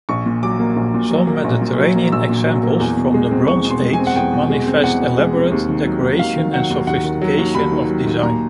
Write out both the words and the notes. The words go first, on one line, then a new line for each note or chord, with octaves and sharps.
Some Mediterranean examples from the Bronze Age manifest elaborate decoration and sophistication of design.
A#1 C#6
A#2
F#3 D6
A#3
A#1
A#2
F#3
A#3
A#1
A#2
F#3
A#3
A#1 E6
A#2
F#3
A#3
E2
B2
G#3
C4
E2 C#6
B2
C6
G#3
G#5
C4
F#5
E2 G5
B2
G#3
C4
E2 F#5
B2
G#3
C4
D#2
D#3
F#3
D#2
D#2 F5
D#3
F#3 F#5
D#2
D#2 F#5
D#3
F#3
D#2
D#2 B5
D#3
F#3
D#2
A#2 A#5